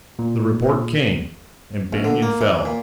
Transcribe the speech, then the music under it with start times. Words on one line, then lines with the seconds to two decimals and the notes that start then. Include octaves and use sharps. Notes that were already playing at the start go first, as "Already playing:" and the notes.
The report came; and Banion fell.
0.19 A#2
1.93 A#1
2.04 D3
2.22 A#3
2.41 E3
2.65 A#2